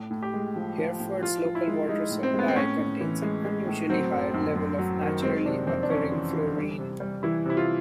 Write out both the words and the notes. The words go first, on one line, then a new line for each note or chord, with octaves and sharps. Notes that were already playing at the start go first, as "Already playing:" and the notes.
Hereford's local water supply contains an unusually high level of naturally occurring fluorine.
Already playing: A2
A2
G4
G#3
F3
F3
A2
F3 F4
F3
E4
G#3
G#3 D#4
A2
C4
G#3 B3
C4
A2 C#4
A2
E3
G#3
G#3
A2
F#3 C4
F#2
F#2
F#2
F#3
D#3
G#3 C4
C3 D4
F2 C4
D4
F2 C#4
E3
E3
G3
C3
G3
E3 E4
C3 E4
F4